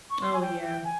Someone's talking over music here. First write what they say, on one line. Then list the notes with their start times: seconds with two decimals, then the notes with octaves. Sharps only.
Oh, yeah.
0.10 C#6
0.21 C6
0.33 G#5
0.42 G5
0.63 G5
0.84 G#5